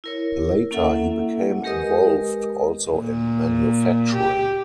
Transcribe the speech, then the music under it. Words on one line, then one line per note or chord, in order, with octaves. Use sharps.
Later he became involved also in manufacturing.
E4 A#4 C#5
A#3 C#4 E4 A4 E5 F#5
G#3 G4 A#4 B4 D#5 D#6
A#2
G4